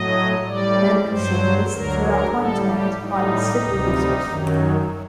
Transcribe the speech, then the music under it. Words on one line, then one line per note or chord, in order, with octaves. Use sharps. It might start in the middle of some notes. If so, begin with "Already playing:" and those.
Membership is through appointment by the Supervisors.
Already playing: A2 F#3 D#5
A2 G3 D5
G2 F#3 C5
D2 D3 F#3 A#4
A#4
A2 G3 A4
G4
A2 G3 D#4
D2 C3 G3
F#2 D#3 F#3